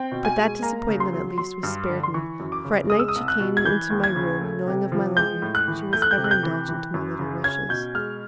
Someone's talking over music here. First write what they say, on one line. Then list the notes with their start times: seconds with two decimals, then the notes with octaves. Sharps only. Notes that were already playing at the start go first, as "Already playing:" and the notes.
But that disappointment, at least, was spared me, for at night she came into my room, knowing of my longing--she was ever indulgent to my little wishes.
Already playing: C4 G5
0.12 B2
0.25 G#5
0.37 G#3
0.62 A#3 A#5
0.88 C#3
1.00 C6
1.13 F#3
1.38 F#3 C6
1.63 G2
1.89 D3
2.03 C6
2.14 E3 C#6
2.40 F#2
2.52 D6
2.65 C#3
2.90 G#3 D#6
2.99 E6
3.08 D#6
3.16 C2
3.28 F#6
3.40 B2
3.57 G#6
3.65 E3 G6
3.90 D#2
4.04 G#6
4.16 C#3
4.41 A3
4.67 C3
4.92 F3
5.17 G#3 G6
5.42 A2
5.55 F#6
5.68 E3
5.93 A3 G6
6.02 F#6
6.11 G6
6.18 C3
6.24 F#6
6.31 G6
6.43 E3
6.68 E3
6.94 F#2
7.19 C#3
7.44 C#4 G#6
7.69 B2 G6
7.95 G#3 F6